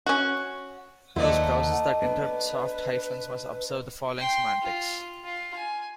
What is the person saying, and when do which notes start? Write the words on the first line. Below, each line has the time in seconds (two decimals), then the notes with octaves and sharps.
Those browsers that interpret soft hyphens must observe the following semantics.
0.06 C#4 F#4
1.16 D#2 A3 D#4 E4 C5 D5 F#5
2.02 B3 D4 B4
4.17 G5 C6
4.62 F4
5.24 F4
5.56 G#5